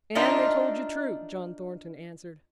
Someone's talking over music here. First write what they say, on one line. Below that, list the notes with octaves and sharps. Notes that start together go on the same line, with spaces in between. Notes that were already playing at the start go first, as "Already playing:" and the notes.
"And they told you true," John Thornton answered.
D4 D#4 F4 A#4 D#5 E5